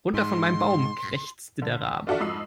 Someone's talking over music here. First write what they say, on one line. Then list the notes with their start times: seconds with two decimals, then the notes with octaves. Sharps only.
"Runter von meinem Baum", krächzte der Rabe.
0.14 G#2 C6
1.62 D3
2.07 D4 F4 F#4 A4 D5 E5
2.20 F2 G#2 D#6 E6 C7